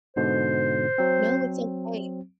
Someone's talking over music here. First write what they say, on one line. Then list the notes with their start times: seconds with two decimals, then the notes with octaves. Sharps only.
No, it's okay.
0.16 G#2 B2 D3 C5
0.98 F#3 C4